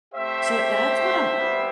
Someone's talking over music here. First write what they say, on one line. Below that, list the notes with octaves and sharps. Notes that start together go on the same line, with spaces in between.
So that's what I'm
A3 C4 G4 C5 E5
G3 B3 E4 G4